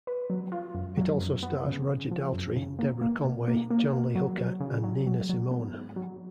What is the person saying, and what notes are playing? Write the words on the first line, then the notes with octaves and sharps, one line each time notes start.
It also stars Roger Daltrey, Deborah Conway, John Lee Hooker, and Nina Simone.
B4
F#3
F4
F#2
F#3
F#2
B3
C#3
C#3
F3
F#2
C#3
A#3
A#3
B2
A#3
A#3
A#3
F#3
F#3
C#3
F#3
F#3
F#3
B3
G#2
F#3